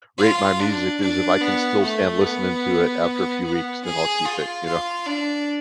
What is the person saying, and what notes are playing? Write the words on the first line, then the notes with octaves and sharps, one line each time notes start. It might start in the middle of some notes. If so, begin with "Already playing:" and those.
rate my music 'cause if I can still stand listening to it after a few weeks, then I'll keep it, you know?
F4
D4
D4
B3
A3
B3
B3
G#4
F4
F4
D4